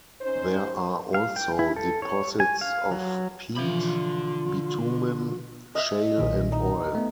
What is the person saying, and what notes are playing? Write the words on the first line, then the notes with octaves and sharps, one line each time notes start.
There are also deposits of peat, bitumen, shale and oil.
C#4 D#4 C5
F5
G5
E4
A4
C#5
G#5
F5
F#3
B2 D3 E3 F3 F4 B5
D#5 E5
B1 A#2 D#3
D#4
A3 B3